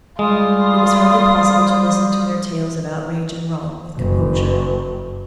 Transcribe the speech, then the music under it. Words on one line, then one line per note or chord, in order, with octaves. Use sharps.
It was hardly possible to listen to their tales of outrage and wrong with composure.
G3 G#3 F4 D#6
F#1